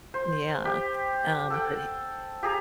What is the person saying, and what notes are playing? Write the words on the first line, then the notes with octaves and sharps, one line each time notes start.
Yeah, th um, but he
C5
G4
A4 F#5 G5
G4 G#4 A#5